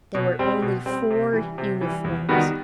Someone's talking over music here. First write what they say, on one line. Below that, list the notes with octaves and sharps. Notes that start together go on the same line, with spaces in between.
There were only four uniforms.
B2
G3 C4
B2
G3 C4
C3
E3 G3
C3
E3 G3
E2
D#3 G3 B3 F#4